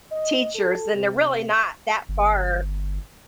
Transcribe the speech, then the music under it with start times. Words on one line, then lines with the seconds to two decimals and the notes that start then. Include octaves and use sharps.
teachers, then they're really not that far
0.12 D#5
0.55 A4
0.96 C3
2.09 G1